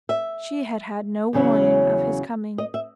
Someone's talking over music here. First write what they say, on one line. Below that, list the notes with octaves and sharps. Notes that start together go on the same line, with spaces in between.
She had had no warning of his coming.
E5
E2 C#3 F#3 C#4 E4
D#5
E5